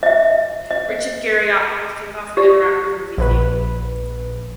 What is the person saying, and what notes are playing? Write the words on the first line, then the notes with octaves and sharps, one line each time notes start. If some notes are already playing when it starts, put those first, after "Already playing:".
Richard Garriott helped kick off the Interactive Movie theme.
D#5 E5
D#5
G4 D5
A#1 B4